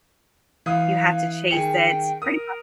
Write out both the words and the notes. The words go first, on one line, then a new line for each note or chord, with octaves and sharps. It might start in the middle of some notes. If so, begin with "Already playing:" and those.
you have to chase it pretty much
E3 F5 D#6
D#3 G#4 G5 C#7
A#4 D#6